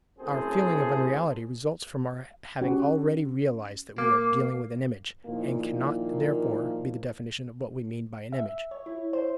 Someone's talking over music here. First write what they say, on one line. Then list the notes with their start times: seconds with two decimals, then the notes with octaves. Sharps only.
Our feeling of unreality results from our having already realized that we are dealing with an image, and cannot therefore be the definition of what we mean by an image.
0.19 F#2 A2 C4 G#4 A4 C5
2.61 C#4 F#4 G4
3.98 A#3 D6
5.26 A#2 D#3 F3 A#3 E4
8.32 E5
8.71 C#5
8.86 E4
9.13 C5